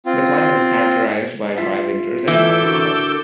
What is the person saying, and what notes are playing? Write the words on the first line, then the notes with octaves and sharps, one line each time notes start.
The climate is characterized by dry winters and mild summers.
C4 F4
F4 E5 F5
E3 A4 D6 E6 G6
D3 F#4 A#4